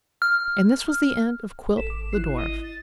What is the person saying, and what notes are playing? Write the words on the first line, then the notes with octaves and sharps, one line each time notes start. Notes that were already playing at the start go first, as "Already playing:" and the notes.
And this was the end of Quilp, the dwarf.
F6
G#1 A4 B6 E7
D6
E4 F#6 C7
E4 D#5
A6